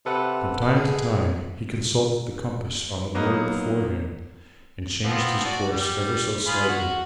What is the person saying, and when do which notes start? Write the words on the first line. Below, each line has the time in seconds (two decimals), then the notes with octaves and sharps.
From time to time he consulted the compass on the board before him, and changed his course ever so slightly.
0.06 C3 A4 B4 F#5
0.76 G#4
3.15 F#3 A#3 B3 D#4
5.04 F3 B3 C4
5.45 F#4 D5
5.71 G3
6.47 F4 G#4 B5
6.69 F#4